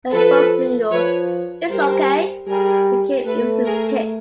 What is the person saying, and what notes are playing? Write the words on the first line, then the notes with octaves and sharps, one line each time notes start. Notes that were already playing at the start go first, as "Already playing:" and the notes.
Her first single, "It's ok", became an instant hit.
F3 A4 B4
F3 B4 C#5
G3 A#4 C5
G3 G#4 A#4
A3 A4 B4
G#4 A#4